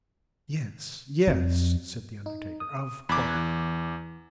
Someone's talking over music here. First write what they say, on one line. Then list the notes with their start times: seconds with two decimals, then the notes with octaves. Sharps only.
'Yes, yes,' said the undertaker,'of course.
1.27 F2
2.26 D#4
2.60 D#6
3.09 E2 B5 D6 F#6 G#6
3.35 E3